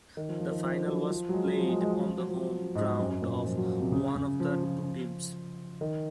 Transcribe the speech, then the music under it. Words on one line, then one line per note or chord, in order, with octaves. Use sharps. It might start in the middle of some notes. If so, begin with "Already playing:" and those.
The final was played on the home ground of one of the two teams.
D#3
F3
F3
D#3
F3
F#3
F3
F#3
G#3
F#3
F3
G#3
G#3
G#3
F3
F#3
F3
G#2
F#2
A#2
F3
F#3
C3
C#3
C#3
F3
F3
D#3